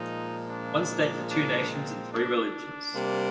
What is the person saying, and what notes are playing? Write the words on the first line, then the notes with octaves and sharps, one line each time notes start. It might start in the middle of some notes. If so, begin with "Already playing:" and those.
One state for two nations and three religions.
Already playing: A#2 F3 G#3 D#4
D4
D4
C4
D4
C3 G3 A#3